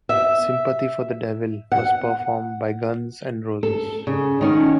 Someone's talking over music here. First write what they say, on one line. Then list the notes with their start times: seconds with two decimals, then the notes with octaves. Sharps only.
"Sympathy for the Devil" was performed by Guns N' Roses.
0.09 E5
1.72 F#5
3.63 A4
4.07 C#3
4.41 D#3 C#4 F#5